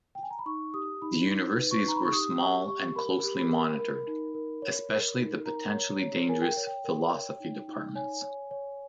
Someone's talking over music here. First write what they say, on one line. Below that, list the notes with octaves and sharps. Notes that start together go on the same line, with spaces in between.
The universities were small and closely monitored, especially the potentially dangerous philosophy departments.
G5
G#5
A#5
B5
D#4 C#6
G4 D#6
D#4 B5
D#4
B4
C#6
D#4 A#5
B5
C#6
G4 D#6
G4 C#6
G4 C#6
A#4 B5
G4
B5
A#4
A#4
D#4
A#4
C#5
A#4
D#4
A#4 A#5
C#5
C#5
A#4 G#5
G5
C#5
G5
A#4
C#5
D#4
D#4
C#5 G#5
C#5
C#5